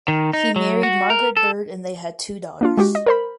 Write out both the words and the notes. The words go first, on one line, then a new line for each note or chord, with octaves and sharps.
He married Margaret Bird and they had two daughters.
D#3
D#4
F#3
F#4
A#4
A4
A#3 D4 F4
G#3 F#4 G4
D#5
A#4 C5 B5